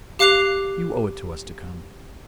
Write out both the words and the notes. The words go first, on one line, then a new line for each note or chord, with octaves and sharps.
You owe it to us to come.
G4 F5 D6 F#6 C7 F7